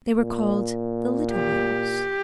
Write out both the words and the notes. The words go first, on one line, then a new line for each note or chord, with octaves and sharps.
They were called "The Little Rooms."
A#2
G4